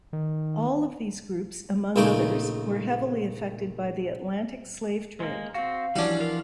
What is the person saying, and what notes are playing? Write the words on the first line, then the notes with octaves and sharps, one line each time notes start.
All of these groups, among others, were heavily affected by the Atlantic slave trade.
D#3
A#1 C#3 A3 D#4 D5 D#5
G#3 A#3
C4 F#4 F5
E3 F3 G3 C#4 D4 F#4
F4 A#4 F5